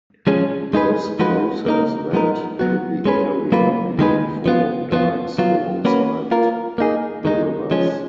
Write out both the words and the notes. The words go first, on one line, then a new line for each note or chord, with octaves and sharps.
This process led to the area being full of dikes alongside the rivers.
F3 G#3 C#4 G#4
G#3 D#4 G#4 B4
F3 G#3 D#4 F#4 B4
A#3 D#4 A#4
F3 G#3 B3 D#4 A#4
F#3 B3 F#4
G#3 C#4 G#4 B4
F#3 A#3 F4 B4
D#3 G#3 D#4 G#4 B4
F3 B3 F4
F3 B3 F4
F#3 B3 F4
A#3 C#4 F#4 B4
A#3 F4 A#4
A#3 D#4 G#4
D#3 G#3 D#4
F3 G#3 C#4